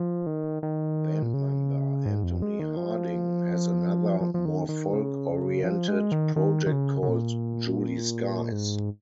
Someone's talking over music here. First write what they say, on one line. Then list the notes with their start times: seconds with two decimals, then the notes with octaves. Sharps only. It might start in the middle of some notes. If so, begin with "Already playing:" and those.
Band member Antony Harding has another more folk-oriented project called July Skies.
Already playing: F3
0.26 D#3
0.63 D#3
1.23 A#2
1.34 C#3
2.06 G#2
2.24 F2
2.42 G#3
2.59 D#3
2.77 F3
4.21 F3
4.34 F3
4.45 D#3
4.69 D#3
4.93 C#3
5.64 F3
5.88 G#3
6.12 D#3
6.36 D#3
6.66 D#3
6.72 C#3
7.02 C#3
7.08 A#2
8.52 G#2